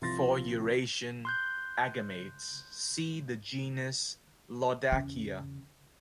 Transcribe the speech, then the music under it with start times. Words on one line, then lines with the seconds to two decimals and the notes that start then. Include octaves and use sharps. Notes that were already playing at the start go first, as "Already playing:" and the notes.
For Eurasian agamaids, see the genus "Laudakia".
0.01 C2 F3 C6 A6 A#6
1.25 C6 F#6 G6
4.92 E2 C#3